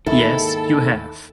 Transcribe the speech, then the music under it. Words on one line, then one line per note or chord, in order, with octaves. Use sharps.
Yes, you have.
D#2 G#2 D#3 E4 A4